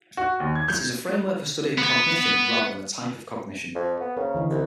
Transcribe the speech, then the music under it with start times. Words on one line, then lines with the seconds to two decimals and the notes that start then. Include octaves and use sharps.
It is a framework for studying cognition rather than a type of cognition.
0.17 F#4
0.40 D#2
0.55 G#6
0.68 G6
1.78 B3
3.75 F2
4.00 B3
4.17 C#3 A#4 C5
4.34 D3 E3 D#5
4.50 C2